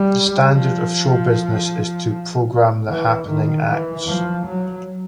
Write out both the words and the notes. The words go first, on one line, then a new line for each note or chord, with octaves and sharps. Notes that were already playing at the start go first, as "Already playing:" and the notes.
The standard of show business is to program the happening acts.
Already playing: G3
F3
E3
D#3
E3
F3
F#3